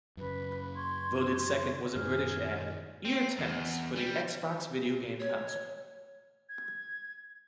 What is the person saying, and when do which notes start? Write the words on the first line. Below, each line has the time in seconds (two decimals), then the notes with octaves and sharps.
Voted second was a British ad, "Ear Tennis" for the Xbox video game console.
0.17 F#2 C#3 B4
0.75 C6 C#6 G#6
1.95 F#2 A#2 D#3 G#4 F6
3.05 C4
3.39 E2
3.96 G3
5.20 C#5
6.49 G#6